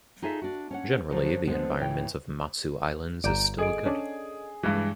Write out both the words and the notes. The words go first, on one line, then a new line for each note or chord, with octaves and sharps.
Generally, the environment of Matsu Islands is still good.
D#4 F4 G#4 A4 D#5 E5
D4 F#4
C#4 C#5 F#5
D3 F3 F#3
D3 F3 G#3 B3
A2 C#3 E3 C#5 G5
G1 D5 A#5 G6 D7
G#4 A4 D#5 D7
C#4 D4 D5
G2 E3 G#3